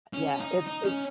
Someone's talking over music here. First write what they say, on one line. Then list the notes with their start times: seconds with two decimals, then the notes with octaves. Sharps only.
Yeah, it's it
0.13 C#4
0.40 D#4
0.67 D#4
0.85 C#4